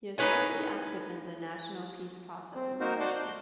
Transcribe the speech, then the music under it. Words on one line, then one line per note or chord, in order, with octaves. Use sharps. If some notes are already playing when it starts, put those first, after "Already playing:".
He is mostly active in the National Peace Process in the country.
D#4 E4 B4 C#5 G#5
C4
A#3 D#4 F#4 A#4 C5
F#4 D5 F#5 A5 C6
G6